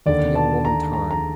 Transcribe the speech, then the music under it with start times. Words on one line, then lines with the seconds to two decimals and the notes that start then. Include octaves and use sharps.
"Give the young woman time."
0.06 D#2 D3 D5
0.35 A5
0.65 A#5
0.93 A#5
1.11 A#5